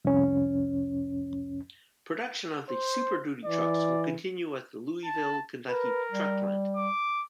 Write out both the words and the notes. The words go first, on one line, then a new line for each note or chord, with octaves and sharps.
Production of the Super Duty trucks will continue at the Louisville, Kentucky truck plant.
C2 F2 C#4
C5
E3 D5
A5
A#4 B4
G3
D6